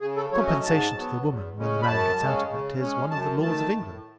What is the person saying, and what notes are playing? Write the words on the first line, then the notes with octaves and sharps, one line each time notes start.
Compensation to the woman when the man gets out of it, is one of the laws of England.
C#3 G#4
A4
F#3 A3 C#4 C#5
D#5
G#2 A5
F#3 B3
E2
C#3 G#3 C#4
B5
F#2 A5
C#3 G#3 C#4
C#3
G#3 C#4
F#2 A5
D#3 A3 A5
A2